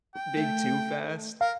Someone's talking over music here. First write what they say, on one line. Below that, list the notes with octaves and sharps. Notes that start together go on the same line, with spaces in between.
big too fast.
G5
A3
A#4 F5